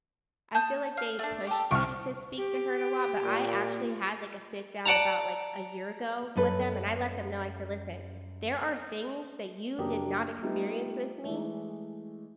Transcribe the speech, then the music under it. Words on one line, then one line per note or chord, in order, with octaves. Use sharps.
I feel like they pushed me to speak to her a lot, but I actually had, like, a sit-down about, like, a year ago with them, and I let them know, I said, "Listen, there are things that you did not experience with me."
A5 D#6 G6
F5
A3 D4
G4 A4
C2 C#6 D6 F6
G4
A#2
D5 F#5 A5 A#5
F#2 A4 B4
F#2 C#3 A#3 D4 G4 D#6
G3 A3 B3 D#4 F4
E3 G#3 A3